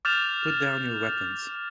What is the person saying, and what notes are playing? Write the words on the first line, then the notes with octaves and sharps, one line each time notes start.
Put down your weapons.
D6 F6 G6 A6 E7 F7